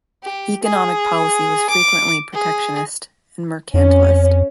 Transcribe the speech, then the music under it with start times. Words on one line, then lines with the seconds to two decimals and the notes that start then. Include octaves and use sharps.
Economic policy was frequently protectionist and mercantilist.
0.23 G4
0.63 G#4
1.70 D6
2.33 G#4
3.74 F2 C#4